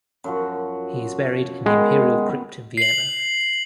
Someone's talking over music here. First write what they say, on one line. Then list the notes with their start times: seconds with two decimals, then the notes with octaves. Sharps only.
He is buried in the Imperial Crypt in Vienna.
0.24 F#2 F3 F#4
1.66 D#3 G#3 B3
2.77 C7 F#7